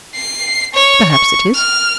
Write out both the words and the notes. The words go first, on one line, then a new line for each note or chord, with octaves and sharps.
'Perhaps it is.
C7
C#5
C#6
F6